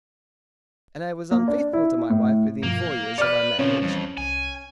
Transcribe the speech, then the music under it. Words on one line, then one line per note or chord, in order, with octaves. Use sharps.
And I was unfaithful to my wife within four years of my marriage.
A#3
D4
E4
A2
G2 B2 F3 A#3
G6
B4 C#5 D5 F6
A#2 C#3 F3 C4 C#4 B4
F2 E3 G3
C2 G#5